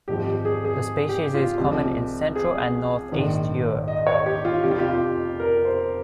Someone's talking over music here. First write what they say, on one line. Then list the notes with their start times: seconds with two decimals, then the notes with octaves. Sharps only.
The species is common in central and northeast Europe.
0.08 G#1 G#2 F3 G#3 G4
0.26 G4
0.45 G#4
0.65 G#4
1.09 G4
1.34 F4
1.59 C2 C3 F3 G#3 G4
2.35 G#4
3.12 A#1 G#2 D#3
3.88 D#5
4.07 C#5
4.26 G4
4.45 F4
4.63 F1 F2 C3 G4
4.71 F4
4.79 G4
4.89 F4
5.40 A#4
5.65 C5